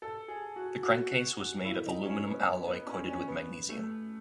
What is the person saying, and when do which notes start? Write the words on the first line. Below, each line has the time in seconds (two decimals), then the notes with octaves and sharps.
The crankcase was made of aluminium alloy coated with magnesium.
0.02 A4
0.28 G#4
0.56 F#4
0.83 F#4
1.65 E4
1.86 D#4
2.06 C#4
2.27 B3
2.67 B3
2.87 C#4
3.08 C#4
3.28 B3
3.69 A3